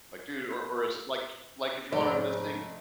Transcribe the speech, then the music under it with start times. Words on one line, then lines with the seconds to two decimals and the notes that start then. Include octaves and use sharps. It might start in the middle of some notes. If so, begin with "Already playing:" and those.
like, dude or or it's like like if you want him to sing
1.92 F1 G#2 C#5 D5